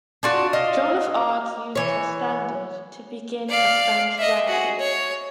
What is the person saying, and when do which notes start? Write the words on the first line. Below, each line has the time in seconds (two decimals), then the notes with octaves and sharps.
Joan of Arc used her standard to begin a French rally.
0.23 D4 F4 F#4
0.53 D#5 F5
1.75 E3 C#5
3.49 D5 F5
4.18 D#5 E5
4.48 F#4 G#4
4.79 C#5